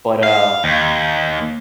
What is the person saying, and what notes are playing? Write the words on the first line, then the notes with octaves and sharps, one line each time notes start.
but, uh,
F5
D#2